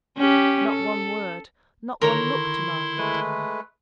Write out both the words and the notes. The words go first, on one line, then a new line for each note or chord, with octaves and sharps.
Not one word: not one look to Margaret.
C#4 G4
A4
D3 D#3 E4 A4 A#4 C#5 A#5 C6
G#3 A3 B4